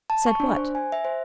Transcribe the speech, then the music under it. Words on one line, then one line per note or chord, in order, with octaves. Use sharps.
"Said what?"
A5
C#6
D4
C5
G#5
E5
C5